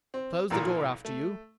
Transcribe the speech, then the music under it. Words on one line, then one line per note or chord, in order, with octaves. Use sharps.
'Close the door after you.
C4
B1 A#2 E3 A#4
A3